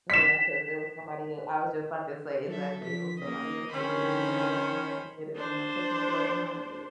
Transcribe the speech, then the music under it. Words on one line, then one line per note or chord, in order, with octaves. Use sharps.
Yeah, 'cause it was somebody e and I was just about to say, exactly, it was somebody else's business, somebody else trying to get it, you know, taking a blow behind it,
B6 E7
F#3 A4 E5
F3 B6
C#3 A#3 D#5
D3 D#3 C#4 C5 B5
D4 C5